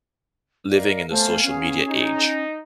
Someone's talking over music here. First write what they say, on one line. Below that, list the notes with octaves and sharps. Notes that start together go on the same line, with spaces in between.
living in the social media age,
A#4 D5 D#5 F5
A3 B3 C5 D5 F5 G#5 A5
C#4 G#4 C#5
D#4